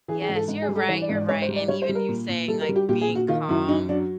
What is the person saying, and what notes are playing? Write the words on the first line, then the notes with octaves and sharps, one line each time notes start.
Yes, you're right, you're right. And even you saying, like, being calm
E3 G#4
G#4
G#2
A4
G#2
G#4
G3
A4
E3 C#5
D5
G#2
D5
G#2 C#5
C5
G3
D5
G3 C#5
C5
G3
A#4
A#2
A#2
G3 A4
A#4
G3
G4
A#2 G4
G#4
A#2
F#4
D#3 F4
F#2 E4
F#2 D#4
F#3 D4